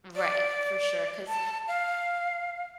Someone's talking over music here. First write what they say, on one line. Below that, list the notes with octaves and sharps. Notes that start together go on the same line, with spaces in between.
Right. For sure, 'cause
D5
A5
F5